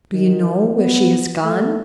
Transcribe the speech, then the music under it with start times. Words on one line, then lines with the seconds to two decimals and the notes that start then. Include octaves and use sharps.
"Do you know where she has gone?"
0.13 D#3
0.73 B3
1.44 A3